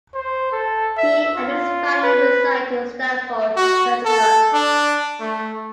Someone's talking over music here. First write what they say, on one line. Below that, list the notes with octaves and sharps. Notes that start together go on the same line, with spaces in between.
He and his family reside in Stamford, Connecticut.
C5
A4
E5
F4
B4
F#4
A4
D4
A3